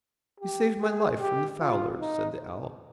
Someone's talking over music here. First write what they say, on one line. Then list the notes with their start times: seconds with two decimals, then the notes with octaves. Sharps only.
"You saved my life from the fowlers," said the owl.
0.40 G4
0.80 G#4
1.20 G4
1.60 F4
2.00 D#4